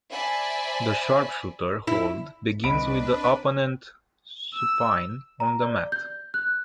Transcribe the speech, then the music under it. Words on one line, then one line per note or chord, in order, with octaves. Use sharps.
The Sharpshooter hold begins with the opponent supine on the mat.
C5 D5 E5 G#5 A5 B5
E4
C2 C4 D4 B4 D#5 B5 D7
E6
A#5
D5
G6
F#6